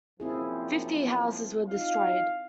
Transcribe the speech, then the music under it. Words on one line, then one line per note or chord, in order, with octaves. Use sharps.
Fifty houses were destroyed.
F#2 A#2 F3 C4 E4 G#4
D#4 F4 F5